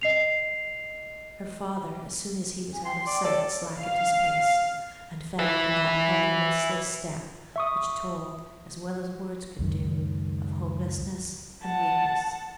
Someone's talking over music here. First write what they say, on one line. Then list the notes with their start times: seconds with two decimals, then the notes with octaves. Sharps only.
Her father, as soon as he was out of sight, slackened his pace, and fell into that heavy listless step, which told as well as words could do, of hopelessness and weakness.
0.01 D#5 C7 F7
2.74 G#5
2.85 G5 C6
3.07 D5
3.25 A4 C#5 D5
3.79 F5
5.39 B4 E5
7.56 E5 C#6 D#6
9.59 C#2 F#2 D#3
11.64 F#5 A5